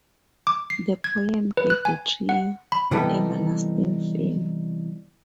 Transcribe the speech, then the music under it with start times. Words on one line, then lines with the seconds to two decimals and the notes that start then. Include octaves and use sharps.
The poem gave the trio "everlasting fame".
0.47 D6
0.70 C7
1.04 G#6
1.57 B4
1.70 F#6
1.85 G#5
2.29 F#5
2.72 B5
2.91 C3 E3 G3 B3 D#4 A4